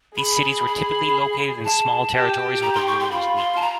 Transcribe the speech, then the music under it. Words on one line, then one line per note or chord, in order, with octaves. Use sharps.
These cities were typically located in small territories where the ruler was weak.
G#4 B5
B5
B5
A5
G4
A#5
C6
C#6
C6
F4 B5
C6
A5
A#5